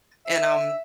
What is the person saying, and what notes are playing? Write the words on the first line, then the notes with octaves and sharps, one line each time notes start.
and, um,
E5